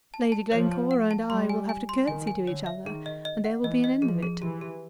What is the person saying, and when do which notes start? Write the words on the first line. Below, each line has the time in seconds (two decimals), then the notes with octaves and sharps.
Lady Glencora and I will have to curtsey to each other, and there will be an end of it.
0.14 A5
0.32 A5
0.52 F3 C#5
0.72 A5
0.91 F#5
1.11 A5
1.29 G3 C6
1.49 G#5
1.69 G#5
1.89 C6
2.07 D#3 G#5
2.27 G#5
2.46 D3 C#5
2.66 E5
2.86 D#3 G#4
3.06 D#5
3.25 D#5
3.45 F#5
3.63 E3 D#5
3.84 D#5
4.02 F3 G#4
4.23 G#4
4.41 E3 G4
4.61 G4